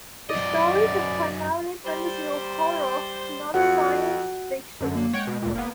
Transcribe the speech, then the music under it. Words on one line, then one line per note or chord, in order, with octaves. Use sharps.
The stories are primarily fantasy or horror, not science-fiction.
F#2 D5 D#5
G3 C5
F2 F#4 F#5
F#2 D3
A#3
G#3 C#5 F#5 G5
B2
D2 A#2
F#1 A#3 B3